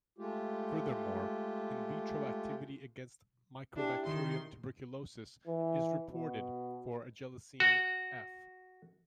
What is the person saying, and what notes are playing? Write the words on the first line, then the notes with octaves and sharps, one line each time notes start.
Furthermore, in vitro activity against Mycobacterium tuberculosis is reported for agelasine F.
G#3 A3 F4 G4
D4 E4 G4 G#4
D#3 C6
E3
B2
F#4